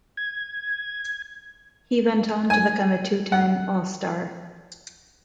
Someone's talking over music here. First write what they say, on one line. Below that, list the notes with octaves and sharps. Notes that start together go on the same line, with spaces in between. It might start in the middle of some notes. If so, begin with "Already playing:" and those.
He went on to become a two-time All-Star.
G#6
G#5
F#5